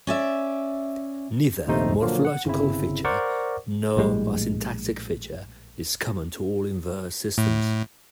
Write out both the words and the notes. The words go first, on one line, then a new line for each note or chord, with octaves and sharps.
Neither a morphological feature nor a syntactic feature is common to all inverse systems.
C#4 D5 E5
A#1 D#2 C3 A3 D#4 C5
A#2 D3 F3 F#3 A#3
F#5
G1 C#3 C4 E4
A#4 C5 D5 F#5 C#6 D6
A#1 A2 G3 G#3
A2